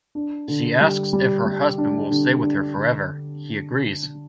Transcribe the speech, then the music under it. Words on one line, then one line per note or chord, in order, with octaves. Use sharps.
She asks if her husband will stay with her forever he agrees.
D4
D3
G3
G3
G3
D4
D3
D4
D3